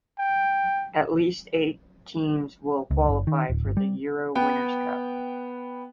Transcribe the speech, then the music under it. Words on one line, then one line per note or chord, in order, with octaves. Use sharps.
At least eight teams will qualify for the Euro Winners Cup.
G5
C#2
F#1
D#3
D1
G1
G3
B3 G5